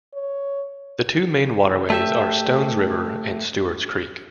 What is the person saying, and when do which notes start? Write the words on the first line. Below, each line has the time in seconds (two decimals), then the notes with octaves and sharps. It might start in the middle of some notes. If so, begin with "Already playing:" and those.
The two main waterways are Stones River and Stewarts Creek.
0.14 C#5
1.90 A3 G4 E5